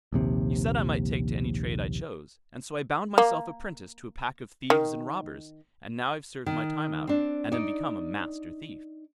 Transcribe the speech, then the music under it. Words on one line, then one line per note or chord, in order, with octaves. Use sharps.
'You said I might take to any trade I chose, and so I bound myself apprentice to a pack of thieves and robbers, and now I've served my time out, and am become a Master Thief.'
A#1 D#2 C3
A#3
D#3
D#3
C4 D4
D#4 D5